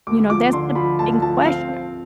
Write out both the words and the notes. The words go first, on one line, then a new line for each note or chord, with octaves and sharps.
You know, that's the big question.
D2 D6
F3 D6
D3 C6
F3 B5
D2 A5
F3 A5
C4 F5
C4